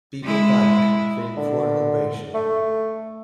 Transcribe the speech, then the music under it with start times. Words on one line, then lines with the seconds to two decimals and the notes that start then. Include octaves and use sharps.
People panic, fearing foreign invasion.
0.23 G#3 E4
1.37 D3
2.34 A3